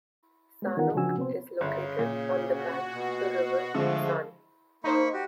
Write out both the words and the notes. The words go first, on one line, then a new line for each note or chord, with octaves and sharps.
Sanok is located on the bank of the river San.
G#3 B3
D#3 E3 B3 F4 A#4 F#5
C#3 F3 D4 F#4 G#5 E6
C3 B3 C4 C5
G1 C#3
A#2
F#4
B2
D3 F3 G#3 A3
A#3 D#4 C5 B5 C#6
F#4 G4